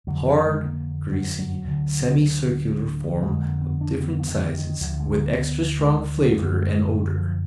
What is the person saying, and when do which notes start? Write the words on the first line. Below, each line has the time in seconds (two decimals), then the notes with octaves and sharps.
Hard; greasy; semicircular form of different sizes, with extra-strong flavor and odor.
0.07 F2 D3 F#3
0.27 F3
0.46 G#3
0.66 A#3
1.12 F#3
1.39 F#3
1.64 D2 D3
3.22 F2 D3 G#3
3.42 A#3
3.62 B3
3.81 D4
4.01 B3
4.19 F3
4.28 D#3
4.53 D#3
4.81 D2 D3 F3
5.00 G#3
5.20 A#3
5.39 B3
5.79 G#3
6.18 F#3
6.38 F#2 G#3
6.41 D3
6.46 F#3
6.54 G#3
7.17 F3